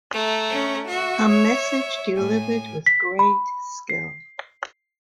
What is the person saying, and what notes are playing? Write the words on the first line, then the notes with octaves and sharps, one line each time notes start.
A message delivered with great skill.
A3 A#5
C#4
F#4 E5
C#5
A2 G#5
B6
B5
C7